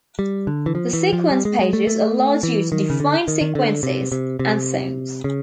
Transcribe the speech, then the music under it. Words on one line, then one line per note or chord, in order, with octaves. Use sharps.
The Sequence pages allowed you to define sequences and songs.
G3
D3
E3
F3
E3
F3
G3
G#3
G#3
A3
A3
E3
D#3
C#3
D3
D#3
D#3
D3
C3
C3
C3
C#3